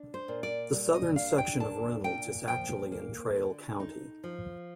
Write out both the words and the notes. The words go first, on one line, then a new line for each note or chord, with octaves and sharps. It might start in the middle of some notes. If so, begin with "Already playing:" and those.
The southern section of Reynolds is actually in Traill County.
Already playing: D4
C5
A#2
D5
G3
D#5
D4 F5
G5
A#2 A5
A#2 G5
F3 G5
A#3
D3
D#4
F3